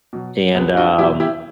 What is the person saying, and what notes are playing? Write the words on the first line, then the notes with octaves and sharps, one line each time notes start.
and, um,
B2 F#3
C2 B3
D4 F#4
B2 F#3 E4 G4
E4 G4